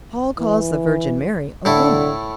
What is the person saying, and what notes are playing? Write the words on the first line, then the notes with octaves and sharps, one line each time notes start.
Paul calls the Virgin Mary a woman.
E3
A2 D3 A3 E4